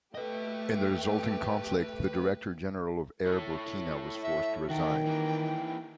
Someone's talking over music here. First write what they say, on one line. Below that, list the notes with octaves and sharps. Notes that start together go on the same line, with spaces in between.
In the resulting conflict, the director-general of Air Burkina was forced to resign.
A3 G4 B4 D#5
E4 A4 C#5
E5
D#3 F#4 A4 A#4 G5
E3 A#3